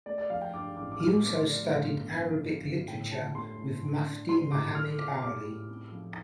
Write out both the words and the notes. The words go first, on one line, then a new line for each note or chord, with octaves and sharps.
He also studied Arabic literature with Mufti Muhammad 'Ali.
A3 D5
D5
F3 F5
G5
G2 D6
A1 D6
D6
A2 F6
D6
A3 D6
C6
F3 D5
A2 F5
G1
F3
G2
G1
A2 G5
F4 A5
A3 C6
A2
A2
D4
G3 C6
A2 D6
A4 F6
F4 D6
G3 D6
A2
C4
F3